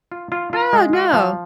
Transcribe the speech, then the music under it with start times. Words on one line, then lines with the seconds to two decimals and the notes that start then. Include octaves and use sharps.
Oh, no.
0.12 F4
0.32 F4
0.53 F4
0.73 G#3
0.93 F4
1.14 F3